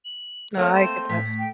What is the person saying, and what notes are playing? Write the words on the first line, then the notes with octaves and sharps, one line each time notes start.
No, I get that.
F#7
A3 A#3 C4 C#5 F6
C6 E7
A2 B6
G5